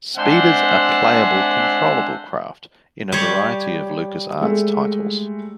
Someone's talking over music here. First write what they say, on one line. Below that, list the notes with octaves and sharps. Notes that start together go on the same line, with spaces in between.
Speeders are playable-controllable craft in a variety of LucasArts titles.
G#3 C4 D4 C5 E5 F#5
G3 C#5
G#3 A3